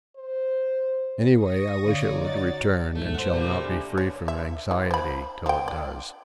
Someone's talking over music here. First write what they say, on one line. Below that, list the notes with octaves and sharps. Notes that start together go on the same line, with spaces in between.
Any way I wish it would return, and shall not be free from anxiety till it does.
C5
C#6 D#6 A#6
D3 C#4 C#5 D5 F5
D#4 F#4 A6
B1 E2 G#2 A3
A2 C5 F#5
B2 G3 A3 A#3
D4 G4 G#5
C#5
E5
E3
C5 B5
F3 G5
D5